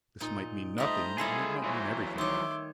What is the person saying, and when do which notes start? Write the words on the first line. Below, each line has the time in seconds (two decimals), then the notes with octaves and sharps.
This might mean nothing, and it might mean everything.
0.20 A#2 D#4
0.78 G3 A3 C5 D#5 A#5
1.18 G3 G#3 E4 F4 G#4 A4
1.64 E3 F#3 C5
2.18 D#3 C#5 E5 C6 D6